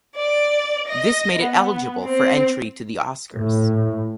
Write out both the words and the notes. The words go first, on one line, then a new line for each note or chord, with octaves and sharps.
This made it eligible for entry to the Oscars.
D5
D#5
B3
C4
A2